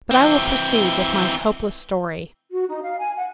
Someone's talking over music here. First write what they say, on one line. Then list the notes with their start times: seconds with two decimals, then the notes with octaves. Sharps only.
But I will proceed with my hopeless story.
0.11 E3 C4
2.51 F#4
2.68 D#4
2.83 F5
2.98 G#5
3.17 F#5